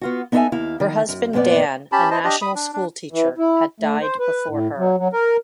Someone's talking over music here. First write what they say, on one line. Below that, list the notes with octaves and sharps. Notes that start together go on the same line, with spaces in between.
Her husband Dan, a national school teacher, had died before her.
B3 F4 F#4
B3 D#4 A4 B4 E5 G#5
D#2 E4 F5
D#3
F#2
F2 A#2 B3 B4 D5
C#4 G4 A5 B5
E4 C5 D#5 A5
D4 G4 D#5
B5 D#6
D4
D4
E3
E4
A3
C5
B4
A2
F#3
F#3
A#4